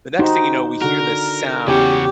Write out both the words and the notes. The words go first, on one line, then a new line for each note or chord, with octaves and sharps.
the next thing you know, we hear this sound
D#4 F#4 G4 C5
D3 F#4 A#4
E2 C#3 C#4 F#4 G4